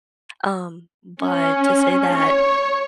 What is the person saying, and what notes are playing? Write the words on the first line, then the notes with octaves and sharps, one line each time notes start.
Um, but to say that
C#4
C#5